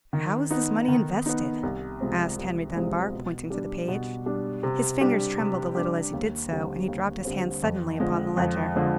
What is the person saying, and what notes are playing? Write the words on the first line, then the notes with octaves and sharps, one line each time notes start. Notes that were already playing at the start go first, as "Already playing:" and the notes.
"How is this money invested?" asked Henry Dunbar, pointing to the page. His fingers trembled a little as he did so, and he dropped his hand suddenly upon the ledger.
D#3
B3 D#4
D#3
B3 D#4
C2
C3 F3 G#3 C4
C2
C3 F3 G#3 C4
B2
G3 D4
B2
G3 D4
C3
G3 D4 G4
C3
G3 D4 G4
D#2
D3 G3 C4
D#2
D3 G3 C4
F2
D3 F3 G#3 C4
F2
D3 F3 G#3 C4